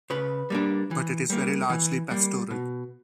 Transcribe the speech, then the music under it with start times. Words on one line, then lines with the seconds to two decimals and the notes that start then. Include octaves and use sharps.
But it is very largely pastoral.
0.10 C#3 B4
0.50 G3 A#3 D4
0.91 E3
1.30 G3 A#3
1.70 E3
2.11 G3 A#3
2.51 B2